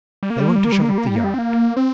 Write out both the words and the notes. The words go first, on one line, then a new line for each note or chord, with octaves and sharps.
'They want to shut up the yard.'
G3
A#3
G3
A#3
G3
A#3
G3
A#3
G3
A#3
G3
A#3
G3
C4
A#3
C4